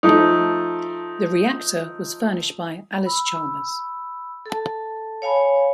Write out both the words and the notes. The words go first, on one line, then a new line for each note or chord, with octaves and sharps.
The reactor was furnished by Allis-Chalmers.
F3 A3 D#4
B5 E6
A4 A5
C#5 F5 G#5 B5